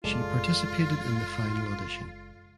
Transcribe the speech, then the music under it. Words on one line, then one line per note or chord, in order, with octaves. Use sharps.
She participated in the final audition.
F#1 G#3 F4 A4 D5